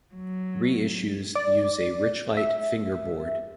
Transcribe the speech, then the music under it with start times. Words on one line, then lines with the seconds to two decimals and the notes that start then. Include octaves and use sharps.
Reissues use a richlite fingerboard.
0.14 F#3
1.35 D5
2.37 E5